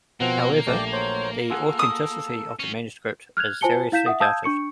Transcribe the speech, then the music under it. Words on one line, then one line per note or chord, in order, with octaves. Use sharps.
However, the authenticity of the manuscript is seriously doubted.
B2 F3 A#3 C4 F#5
A#1 A3 G4 D5 G5
F#3 C5 C#5
F4 G#4 A4 F#5
D#6
C#4 F#4
F6 F#6 G#6 F7
F4 C5 G#5 A5 C#7 G7
E4 F5 G6 B6 E7
E5 F#5 D#6
F5 A5 D#6 E6 G6 G#6
D4 C#6 C#7